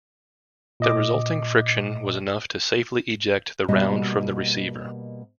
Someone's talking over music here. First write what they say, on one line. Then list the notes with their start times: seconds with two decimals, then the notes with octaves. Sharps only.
The resulting friction was enough to safely eject the round from the receiver.
0.80 A#2 D#5 D6
3.68 B2 G3 A#3 F#4 D#5